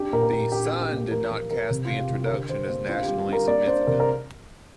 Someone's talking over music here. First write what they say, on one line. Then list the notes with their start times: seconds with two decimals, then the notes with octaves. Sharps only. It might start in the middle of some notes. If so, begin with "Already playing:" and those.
The "Sun" did not cast the introduction as nationally significant.
Already playing: D4 G4
0.12 A#2 A#4
0.23 A#4
0.32 A#2 G4
0.52 D4 G4
0.67 G4
0.72 D4
0.82 G4
0.91 A#3
0.97 G4
1.11 F3 A#4
1.31 F3 A#4
1.51 F3 A#4
1.70 C3
1.85 F4
1.90 C3
2.00 G4
2.10 C3 F4
2.25 A#4
2.29 D3 G4
2.49 D3 C5
2.68 A#3 C5
2.88 D4 F4
3.03 G3 G4
3.18 G4
3.28 D4 A#4
3.48 A#3 D5
3.67 D4 C5
3.87 C3 A#4
4.00 A#4